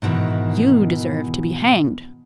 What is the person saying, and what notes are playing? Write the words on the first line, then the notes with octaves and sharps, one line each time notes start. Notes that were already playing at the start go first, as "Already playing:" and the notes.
You deserve to be hanged.
G#2 B2 D#3 E3